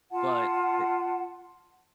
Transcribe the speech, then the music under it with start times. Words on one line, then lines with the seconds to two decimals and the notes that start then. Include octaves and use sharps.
but but
0.11 F4 F#5 A5